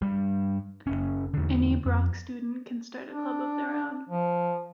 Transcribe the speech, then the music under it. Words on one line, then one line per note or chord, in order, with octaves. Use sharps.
Any Brock student can start a club of their own.
G2 G3
F#1 C#4
E2 D3
F2
D4
F3